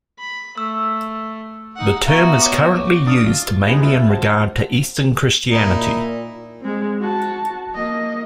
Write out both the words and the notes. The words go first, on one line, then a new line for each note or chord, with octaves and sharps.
The term is currently used mainly in regard to Eastern Christianity.
B5
A3 E6
D#4 F#5
B3 F#4 E5 F5 A#5
C#5 D6
D4 D5 D#6 F6
F4
G3 G#3 B3 D4 D#4
E4 F4
F#4 C5 A5
A#2 D#4 E4
G#3 C4
F#4 A5
A#3 D#5